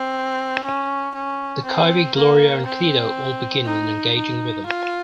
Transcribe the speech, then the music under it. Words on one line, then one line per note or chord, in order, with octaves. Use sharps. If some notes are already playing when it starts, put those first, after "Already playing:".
The Kyrie, Gloria and Credo all begin with an engaging rhythm.
Already playing: C4
C#4
C#4
C4
A#3
C4
D#4
D#4
F4